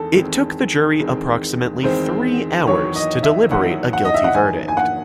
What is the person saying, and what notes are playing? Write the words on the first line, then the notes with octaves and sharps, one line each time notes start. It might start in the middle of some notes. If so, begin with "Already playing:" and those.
It took the jury approximately three hours to deliberate a guilty verdict.
Already playing: E2 D#3 G#3 C4 A4
E2 D#3 G#3 C4
E2 D#3 G#3 C4
E2 D#3 G#3 C4 C5
E2 D#3 F#3 C#5
D#5
E5
E2 D#3 F#3 F#5
F#5
D#5
E5
F#5
E2 D#3 F#3 G#5
G#5
F#5